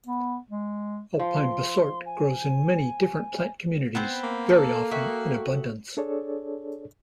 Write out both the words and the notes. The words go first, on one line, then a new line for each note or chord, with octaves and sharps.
Alpine bistort grows in many different plant communities, very often in abundance.
B3
G#3
F3 C6
G#5
B3 C4 C5
A#3
A4
F#4 A4 E5 G5
D4 G#4 A4 C#5 D5